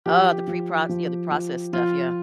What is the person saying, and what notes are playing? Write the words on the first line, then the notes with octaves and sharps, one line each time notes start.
Oh, the preproc yeah, the processed stuff, yeah.
F3 G4
F3
F3
F3
F3 F4